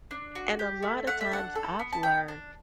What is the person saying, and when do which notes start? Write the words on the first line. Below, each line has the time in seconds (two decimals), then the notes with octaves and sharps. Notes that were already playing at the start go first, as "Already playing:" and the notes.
and a lotta times I've learned
0.11 D4
0.35 F#4
0.59 G4
0.83 A3
1.07 A3 F#5
1.21 E5
1.32 D4 F#5
1.55 A4
1.79 B3
1.93 A5
2.03 B3 G5
2.28 D4